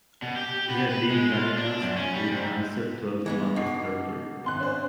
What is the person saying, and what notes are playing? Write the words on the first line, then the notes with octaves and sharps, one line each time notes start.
He had been diagnosed with cancer twelve months earlier.
B2
G4
B3
B4
G#3
F4
D4
F#2
C#4
G3
G#2
E3 G#3 B3
B2 D#4 D6 C7
G#1 C6 F#6
C#4 D4 C5